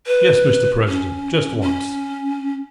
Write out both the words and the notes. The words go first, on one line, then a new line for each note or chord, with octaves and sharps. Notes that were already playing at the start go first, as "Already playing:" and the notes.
"Yes, Mr. President, just once."
B4
C#4
C#4